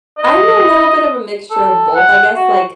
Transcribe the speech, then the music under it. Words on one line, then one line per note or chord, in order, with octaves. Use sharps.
I'm a little bit of a mixture of both, I guess, like,
D#5
A4
F#5
F#4